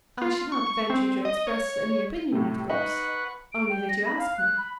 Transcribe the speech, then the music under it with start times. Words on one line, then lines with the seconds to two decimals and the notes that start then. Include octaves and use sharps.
"I should not venture to express any opinion, of course,--only that you ask me."
0.22 F4
0.52 C#6
0.90 C4
1.25 D#5
1.47 C#5
2.32 A2 C3
2.70 D#4 B4 F#5 C#6
3.52 D7
3.69 G5
3.89 A#6
4.05 B5
4.18 F5
4.37 F#6
4.58 B5